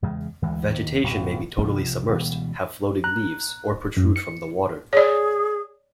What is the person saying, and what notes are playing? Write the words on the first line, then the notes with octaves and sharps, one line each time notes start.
Vegetation may be totally submersed, have floating leaves, or protrude from the water.
E2 C#3 G#3
D2 E3 G#3
D#2
D1 B1 F#2 B2
C2 C3 F3
C#2 B2 E3 G3
A#5 F#6
F#2
C#7
G#4 C#5 D5